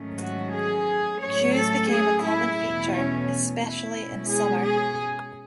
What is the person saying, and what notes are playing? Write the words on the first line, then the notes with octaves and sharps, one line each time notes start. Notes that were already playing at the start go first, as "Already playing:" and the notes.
Queues became a common feature, especially in summer.
Already playing: G#2 D#3 F#3 A3 C#4
F#4
G#4
A2 F#3 A3 C#4 C#5
A4
G#4
E4
E2 B2 A3
C#4
E4
B2 G#3 C#4
G#4
G#4